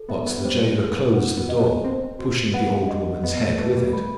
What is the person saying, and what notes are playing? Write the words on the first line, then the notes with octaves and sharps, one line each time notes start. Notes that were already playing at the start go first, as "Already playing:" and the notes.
But the jailer closed the door, pushing the old woman's head with it.
Already playing: A4
B3 E5
B3
G3 C5
A3
G3 G4
B3
F#5
B3
D#5
B3
C4 C5
F#4
B3 F#5
D#5
B3 D#5
A3
A3 B4
G3
A3 B5